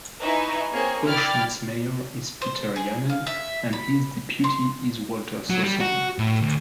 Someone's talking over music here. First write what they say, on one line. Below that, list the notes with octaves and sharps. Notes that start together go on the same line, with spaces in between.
Urschmitt's mayor is Peter Jahnen, and his deputy is Walter Sossong.
D#4 E4 B4 E5 G#5 C#6
A#3 C4 G#4 C#5 G#5
E4 D5 G5 F6 A6
C5
G#4
F5
E5
B5
C6
F#3
G3
F#4
A2
D2